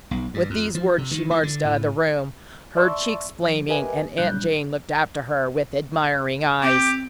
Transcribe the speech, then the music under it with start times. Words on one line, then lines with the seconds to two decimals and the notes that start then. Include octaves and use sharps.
With these words she marched out of the room, her cheeks flaming, and Aunt Jane looked after her with admiring eyes.
0.11 B1
0.34 G2
0.50 F2
0.75 F3
0.98 C3
1.11 D#3
1.31 E3
1.43 D3
1.65 A2
2.76 D5 E5 A5 C6 C#6 E6
3.39 F3
3.69 G4 A#4 B4 D#5 E5 G#5
4.18 A#2 F#3 G3 D4 F#6 G6
6.62 C4 G4